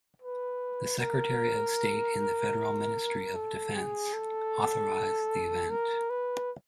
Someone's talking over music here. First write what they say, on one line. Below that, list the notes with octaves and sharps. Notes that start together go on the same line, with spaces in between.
The Secretary of State in the Federal Ministry of Defence, authorized the event.
B4
A#4
A4
G#4
A4
A#4
B4